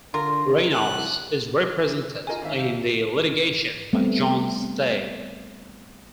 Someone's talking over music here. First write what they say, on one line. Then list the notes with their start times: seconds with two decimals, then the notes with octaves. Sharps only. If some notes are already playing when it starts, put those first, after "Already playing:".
Reynolds is represented in the litigation by Jones Day.
0.14 D3 F4 A#4 C6
0.71 C2 G3 F#6
2.27 F4 G#4 A#4 D#5 G#5
2.42 G#1 E5
2.58 G4 F5
3.93 G3 A3 B3 C4